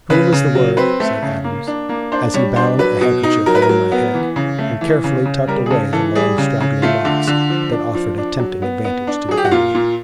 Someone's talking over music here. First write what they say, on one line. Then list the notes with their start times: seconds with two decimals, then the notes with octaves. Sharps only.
"Cool is the word," said Adams, as he bound a handkerchief round my head, and carefully tucked away the long straggling locks that offered a tempting advantage to the enemy.
0.10 C#3 B4
0.32 C#3
0.55 F#3
0.77 C4 B4
1.00 A3
1.22 C#3
1.44 A#3
1.67 D4
1.89 A#3
2.12 D4 C5
2.34 G3 C#5
2.56 D4 C5
2.79 F#3 B4
3.01 B2
3.23 D#4
3.46 F#3 A#4
3.55 B4
3.62 A#4
3.69 F#3
3.91 B3
4.14 E3
4.36 C#3
4.59 A3
4.81 E3
5.04 C#3
5.25 C#3
5.47 G3 A#4
5.66 G#4
5.70 C#3 A4
5.93 E3 A4
6.15 G3 G#4
6.38 C#3
6.60 C#3
6.82 A3 F4
7.05 D3
7.27 D3
7.50 F3
7.72 D4
7.95 F3
8.18 D4
8.40 F#3
8.62 B3
8.85 B3
9.07 D4
9.29 F#3 G#4
9.37 G4
9.45 F#4
9.51 A#2 F4
9.74 A#2